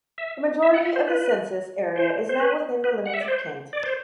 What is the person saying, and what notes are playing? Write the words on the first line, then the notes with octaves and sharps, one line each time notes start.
The majority of the census area is now within the limits of Kent.
E5
E5
F#5
E5
C5
B4
C5
C5
B4
B4
F#5
E5
D5
C5
D5
C5